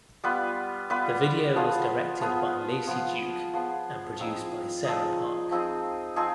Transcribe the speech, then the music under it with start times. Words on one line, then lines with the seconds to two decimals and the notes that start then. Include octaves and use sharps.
The video was directed by Lacey Duke and produced by Sarah Park.
0.24 G3 B3 F4 B4
0.90 G3 B3 F4 B4
1.56 F3 B3 F4 G#4
2.21 F3 B3 F4 G#4
2.87 F3 B3 F4 G#4
3.53 F3 B3 F4 G#4
4.19 F3 C4 D#4 G#4
4.85 F3 C4 D#4 G#4
5.51 F3 C4 D#4 G#4
6.16 F3 C4 D#4 G#4